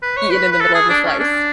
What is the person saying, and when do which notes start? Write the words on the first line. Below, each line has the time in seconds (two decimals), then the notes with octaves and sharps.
eaten in the middle of the slice.
0.03 B4
0.17 C#5
0.31 B4
0.52 B4
0.61 A4
0.75 G#4
0.90 D4
1.05 C#4
1.19 D4